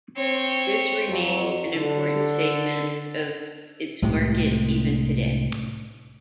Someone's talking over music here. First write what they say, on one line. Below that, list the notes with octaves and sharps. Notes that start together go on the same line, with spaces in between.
This remains an important segment of its market even today.
C4 C#5
F2 F#3
D3 A4
C2 A2 C3 G#3